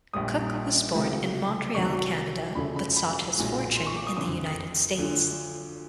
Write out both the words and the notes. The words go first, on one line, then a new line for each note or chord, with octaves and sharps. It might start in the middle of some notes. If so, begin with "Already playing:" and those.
Cooke was born in Montreal, Canada, but sought his fortune in the United States.
A#1 A#2 G3 D#6
C#2 C3 F3 A3
C2 C3 D#3 F#3 C#6
E1 D2 C#3 F3 A3 B5
B5
B5
B1 A#2 F3 G#3
C6
C#6
D6
D#6
F#1 F2 D3 D#6
D2 D3 F3